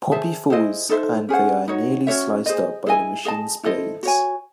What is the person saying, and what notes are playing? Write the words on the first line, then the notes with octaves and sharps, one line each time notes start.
Poppy falls and they are nearly sliced up by the machine's blades.
G#4 C5 E5 A5
E4 G#4 C5 D#5
D#4 A4 C5 E5
C#4 G#4 C5 F#5
D#4 F#4 C#5
C#4 F#4 C#5 E5
G#4 C5 D#5
E4 G#4 D#5 G#5
G#4 D#5 A5
E4 A4 C5 D#5
F#4 C#5 G#5